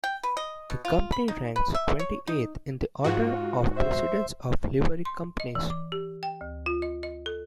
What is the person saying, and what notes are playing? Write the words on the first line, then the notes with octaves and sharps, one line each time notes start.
The Company ranks twenty-eighth in the order of precedence of Livery Companies.
G5
B4
D#5
B2
F4
B5
D#4
B4
E5
C#5
D#4
G#2 F4 F#4
C5 E5
C6
D#5
E3
D6
G4
G5
D2
F4
D#5
D#5
A4